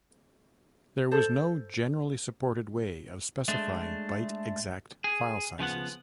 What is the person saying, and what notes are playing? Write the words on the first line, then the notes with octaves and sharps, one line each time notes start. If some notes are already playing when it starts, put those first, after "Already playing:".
There was no generally supported way of specifying byte-exact file sizes.
A4 C5
G#3 A3 D4
G#4
C#3 F3 B3 F#5